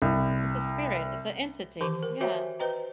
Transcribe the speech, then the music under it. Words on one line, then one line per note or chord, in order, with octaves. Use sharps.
It's a spirit. It's a entity. Yeah.
C2
D#3 E3 G4 C5 C#6 D6
A#4
F#4 C5 C#5 E5 G5 G#5
B4 C5 D#5 G5 A#5